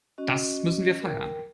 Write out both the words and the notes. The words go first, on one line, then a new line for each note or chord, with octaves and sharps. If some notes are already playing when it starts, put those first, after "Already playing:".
Das müssen wir feiern.
C#4 F#4 D#5
A#4 G5